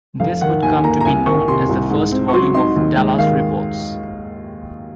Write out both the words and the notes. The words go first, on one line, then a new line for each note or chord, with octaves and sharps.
This would come to be known as the first volume of "Dallas Reports".
F1 F5
D#3 F#5
D#2 G#5
A#3 A#5
A#5
C2 G#5
D#3 C#6
C3 C6
C2
G#2
C4
C#6
F#3 C6
D#4 C6
D#2
G#3
D#3 F5